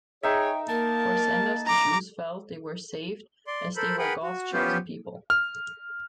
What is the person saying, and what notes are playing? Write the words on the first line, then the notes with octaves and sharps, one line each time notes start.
For Sanders, the Jews felt they were saved as they were God's chosen people.
D#4 G#4 C#5 E5 G5
A#3 A#4 A5
A#5 D6
D5 C6
A4 A#4 C5 B5
G#4 A#4 B4 F#5 G5 B5
F#4
B3 C#4 F4 G4 C5
F6